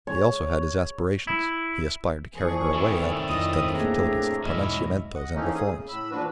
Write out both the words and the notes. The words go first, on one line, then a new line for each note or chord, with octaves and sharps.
He also had his aspirations, he aspired to carry her away out of these deadly futilities of pronunciamientos and reforms.
C#5
E4
A#2 E3 F3 G#4 C#6
A2 D#3 C4 E4 A4 D5 E5
F2 D#5 D#6
A3 A#3 D4 G#4 A#5
B1 E2 G#2 C#4 D#5 E5 B5
D#5 F#5
E3 A3 A#3 C4 C#4 D#4
G#4 D#6
C#3
A2 B5 E6
E2 A#2 F3 D4 F#4 B4